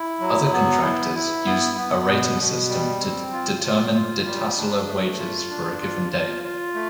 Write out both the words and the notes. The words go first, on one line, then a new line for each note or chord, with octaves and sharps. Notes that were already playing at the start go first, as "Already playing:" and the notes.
Other contractors use a rating system to determine detasseler wages for a given day.
Already playing: E4
F#3
B3
E4
E4
B3
B3
B2
B2
G3
C4
F4
F4
F4
G3
D4
A3
F4
D4
F4
F4
F4
A3